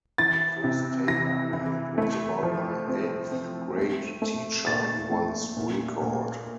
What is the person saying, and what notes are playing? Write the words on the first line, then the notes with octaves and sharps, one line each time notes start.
"The first tape I made was about my eighth-grade teacher," he once recalled.
E3 A6
C3
E3 A#6
E3
A3
F3
C4
C4
A3
A3
A#2 A6
A3
A#2
A#2